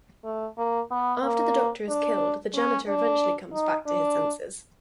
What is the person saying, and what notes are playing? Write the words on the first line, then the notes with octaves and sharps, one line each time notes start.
After the doctor is killed, the janitor eventually comes back to his senses.
A3
A#3
B3
A#3
D4
C#4
D4
D#4
D4